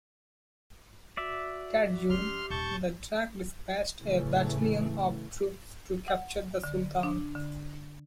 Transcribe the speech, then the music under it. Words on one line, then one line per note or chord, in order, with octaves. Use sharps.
That June, the Derg dispatched a battalion of troops to capture the sultan.
F#4 D5 E5
F3 C#4 G4 C6 F6
D#1 A5 C#6 G6
A2 C#3 E3 A3
F#5
D3
D4
D3